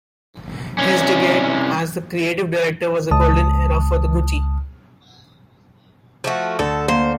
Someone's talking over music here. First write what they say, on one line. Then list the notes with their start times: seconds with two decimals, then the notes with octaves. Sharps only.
His decade as the creative director was a "golden era" for Gucci.
0.79 C2 C#4
3.11 C#2 A5 D#6
6.24 F3 A3 F#4
6.59 D2 A4
6.88 A#3 C5 C7